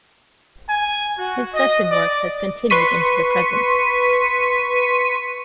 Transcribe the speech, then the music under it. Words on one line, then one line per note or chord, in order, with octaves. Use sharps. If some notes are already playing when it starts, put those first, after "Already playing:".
His session work has continued into the present.
G#5
F#4
D#5
D5
B4 C6 C#6 B6 D#7